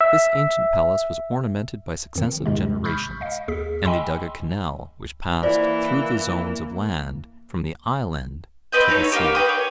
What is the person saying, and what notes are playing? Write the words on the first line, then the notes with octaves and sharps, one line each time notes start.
This ancient palace was ornamented by successive generations; and they dug a canal which passed through the zones of land from the island to the sea.
E5
F2 D#3
D#2 G#2 C3 G#3
B5 C#6 D#6 F6 G6 B6
D#5 F5
D#2 G#4 B6
D#5 G5 G#5 B5 C6 E6
E3 A#3 C5 D5
C4 B4 D#5 G5
A3 D#4 C#5
A#3 D4 D#4 G4
B4 D#5 G5 D#6
C#5